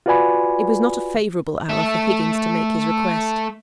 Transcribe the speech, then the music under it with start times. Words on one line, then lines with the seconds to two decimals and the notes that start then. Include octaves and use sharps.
It was not a favourable hour for Higgins to make his request.
0.06 F4 F#4 B4 D5 G#5 B5
1.69 A3 E5